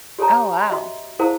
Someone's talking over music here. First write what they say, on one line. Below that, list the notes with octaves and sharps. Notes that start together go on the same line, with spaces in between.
Oh, wow.
G4 A4 A#4 C#5 A5 A#5
F#4 D#5 E5
E4 G#4 A#4 C5 F5 A5